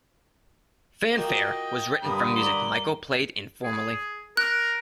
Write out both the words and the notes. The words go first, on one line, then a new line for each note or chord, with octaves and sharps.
"Fanfare" was written from music Michael played informally.
A#3 F4 F#4 D#5 G5
G2 D3 A#3 B5 D#6
D5 A#5 G7
G#4
A#4 F#6